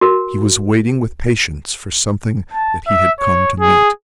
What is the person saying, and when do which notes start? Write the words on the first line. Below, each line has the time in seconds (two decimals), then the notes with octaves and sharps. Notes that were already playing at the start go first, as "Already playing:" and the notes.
He was waiting with patience for something that he had come to meet.
0.01 F#4 A#4
2.53 A5
2.87 E5
3.19 C#5
3.60 G#4